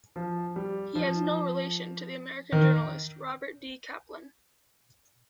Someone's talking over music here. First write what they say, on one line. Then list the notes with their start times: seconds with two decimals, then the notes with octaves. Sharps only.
He has no relation to the American journalist Robert D. Kaplan.
0.16 F3
0.56 G3
0.95 F3
2.52 D#3